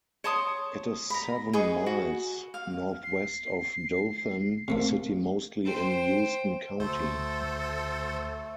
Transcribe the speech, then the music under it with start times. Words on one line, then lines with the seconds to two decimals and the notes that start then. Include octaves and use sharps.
It is seven miles northwest of Dothan, a city mostly in Houston County.
0.24 C#5 A5 C6 D#6
1.10 A#5 B5
1.53 G#4 B4 D#5 C#6
1.86 F#4
2.54 F5
3.04 C7
4.68 C3 A3 A#3
5.65 C5 G5
6.80 D2 A3 A4 C5